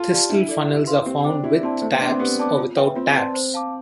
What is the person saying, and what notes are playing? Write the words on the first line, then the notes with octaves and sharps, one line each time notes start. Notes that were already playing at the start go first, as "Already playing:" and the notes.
Thistle funnels are found with taps or without taps.
Already playing: F4 A4
G4 D5 F5 A5
D4 E4
A4 D5
G4
B4 F5 C6
C4 G4
D4 C5 G5 D6
E4 G4
C4 D5 A5 C6
A3 C5
B3
D4 E5 G5 C6
C4
B3 G4
D5 A5 D6
F4
B4 E5 G5
C4 F4
B4 D5 A5 C6
C5
F5 A5 D6